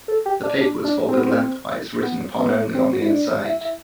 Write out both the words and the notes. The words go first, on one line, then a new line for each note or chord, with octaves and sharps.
The paper was folded lengthwise, written upon only on the inside.
A4
G4
D4
D4
D4
C4
B3
C4
B3
B3
C4
F#4
E4
D4
E4
E4